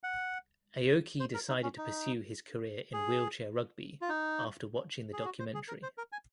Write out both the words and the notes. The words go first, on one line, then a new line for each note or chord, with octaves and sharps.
Aoki decided to pursue his career in wheelchair rugby after watching the documentary.
F#5
C5
A#4
D#4
C#4
D#4
G#4
F4
D#4
G#4
F#4
C5
G#4
A#4
C5
A#4
G#5